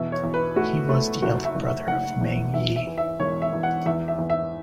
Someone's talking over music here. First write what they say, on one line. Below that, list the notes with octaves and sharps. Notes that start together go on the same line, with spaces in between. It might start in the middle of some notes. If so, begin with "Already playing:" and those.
He was the elder brother of Meng Yi.
Already playing: E2 B2 E5
C#5
E2
B4
A3 F#4
A3
F#1 F#4
E5
F#1
E5
F#1 F#5
E2
E2 E5
E5
E3
E5
E1 C#5
E5
E2
F#5
E2 E5
E5
E2
E5